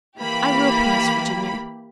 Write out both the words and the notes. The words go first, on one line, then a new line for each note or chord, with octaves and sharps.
"I will," promised Virginia.
E3 A#3 G4 B5